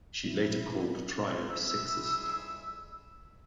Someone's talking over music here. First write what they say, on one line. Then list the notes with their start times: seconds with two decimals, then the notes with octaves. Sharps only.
She later called Trier sexist.
0.24 F3 E4
0.80 B3 A#4 D5
1.49 F2 E3 G3 G#4 E5 E6